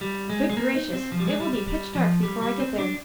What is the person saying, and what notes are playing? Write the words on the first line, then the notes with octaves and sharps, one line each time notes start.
Good gracious! it will be pitch dark before I get there.
G3
G#3
G#3
A#3
D#4
C4
F3
G3
G#3
G3
G3
G3
F3
G3
G3
C4
D4